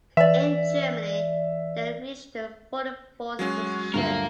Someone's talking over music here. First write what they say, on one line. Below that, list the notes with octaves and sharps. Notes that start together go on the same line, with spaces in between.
In Germany they reached the forty-fourth position.
E3 D5 E5
F#3 G#3 C#4 F#4
D2 G2 F#3 A#3 F4 A#4